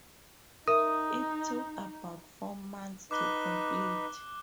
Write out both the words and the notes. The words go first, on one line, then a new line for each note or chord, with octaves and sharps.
It took about four months to complete.
D#4 A#4 E5 D#6
D#4 B4 D6 F#6 G7